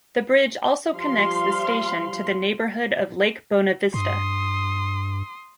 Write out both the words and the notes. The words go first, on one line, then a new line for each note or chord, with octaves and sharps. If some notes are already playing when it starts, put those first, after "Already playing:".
The bridge also connects the station to the neighbourhood of Lake Bonavista.
F3 G3 F5 C6
G2 C6 D#6